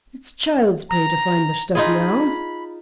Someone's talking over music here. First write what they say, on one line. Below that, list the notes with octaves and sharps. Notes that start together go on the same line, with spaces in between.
It's child's play to find the stuff now.
A#5
D#4 F4 G#4 B5